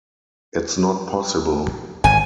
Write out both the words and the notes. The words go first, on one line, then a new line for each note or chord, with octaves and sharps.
It's not possible.
G#1 G#5